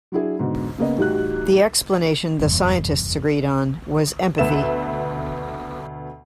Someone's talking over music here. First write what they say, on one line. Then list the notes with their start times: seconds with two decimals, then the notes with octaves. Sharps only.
The explanation the scientists agreed on was empathy.
0.12 F#3 D4 E4 G#4
0.39 G#2 B2 D3
0.78 C#3 A#3 B3 D#5
0.98 A1 G3 D#4 F#4 G4 F#6
2.39 F1 E2 G2
4.38 D2 B2 B4 E5 E7